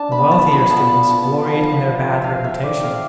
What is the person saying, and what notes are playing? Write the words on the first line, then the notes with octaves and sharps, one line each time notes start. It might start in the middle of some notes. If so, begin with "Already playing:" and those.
The wealthier students gloried in their bad reputation.
Already playing: D4 A5
B5
B3
A5
F4
B5
B3 A5
B3
A5
B3
F3 A5
F3
C4
F3 F5
E5
C4
D5
C4
F5